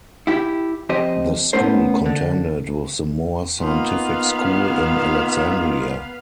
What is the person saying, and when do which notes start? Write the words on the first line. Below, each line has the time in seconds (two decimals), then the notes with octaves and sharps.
The school contended with the more scientific school in Alexandria.
0.27 E4 G4
0.89 F2 G4 C5 D#5
1.53 A3 B3 C#4 A#4 C5
2.06 D3
3.59 A#3 B3 D#4 F4 F5